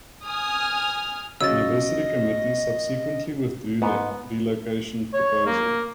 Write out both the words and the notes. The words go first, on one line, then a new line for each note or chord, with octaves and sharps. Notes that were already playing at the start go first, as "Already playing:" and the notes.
The anniversary committee subsequently withdrew their relocation proposal.
G#5 D#6 F6
C#3 F#3 D#5 E6 A6
G#2 B3
C#5
A#3